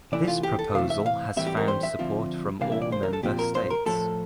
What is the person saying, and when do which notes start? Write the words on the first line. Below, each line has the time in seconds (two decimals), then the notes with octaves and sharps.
This proposal has found support from all Member States.
0.12 C3 E3 A3 E4 D5
0.28 F4
0.43 G4
0.59 A4
0.74 C3 E3 A3 F5
0.90 E5
1.06 F5
1.37 A2 E3 G3 C4 E5
1.46 G4
1.57 A#4
1.68 C5
1.83 E5
1.99 D3 F3 C4 F4
2.61 C3 E3 G3 A#3 D4 F5
2.72 E5
2.82 D5
2.92 C5
3.03 A#4
3.13 A4
3.23 A#2 F3 C4 F4 G4
3.39 A#4
3.55 C5
3.70 A#4
3.86 A2 F3 A3 A4